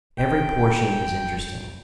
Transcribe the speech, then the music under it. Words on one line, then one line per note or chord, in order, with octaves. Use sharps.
Every portion is interesting.
D#1 G5